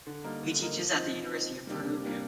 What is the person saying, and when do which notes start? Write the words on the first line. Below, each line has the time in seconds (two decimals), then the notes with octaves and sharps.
He teaches at the University of Perugia.
0.07 D3
0.24 G3 A#3 D#4 A#4
0.43 D3
0.60 G3 A#3 D#4 A#4
0.77 F3
0.96 C4 D#4
1.14 F3
1.32 C4 D#4
1.50 C3
1.67 G3 A#3 D4 G4
1.86 C3
2.03 G3 A#3 D4 G4